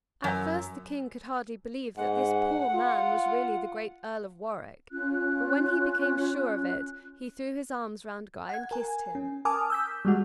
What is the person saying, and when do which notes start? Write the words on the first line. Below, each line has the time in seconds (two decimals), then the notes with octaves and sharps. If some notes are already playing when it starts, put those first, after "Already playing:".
At first the King could hardly believe that this poor man was really the great Earl of Warwick, but when he became sure of it he threw his arms round Guy and kissed him.
0.24 F#2
1.97 G#2 F#5
2.75 F4
4.92 C#4 F4 F#6
8.49 F#5 G#6
8.71 A#4 G#5
9.15 C#4
9.45 A#4 G#5 A5 D6 D#6 F6
9.70 E6 G6 B6
10.05 G3 G#3 F#4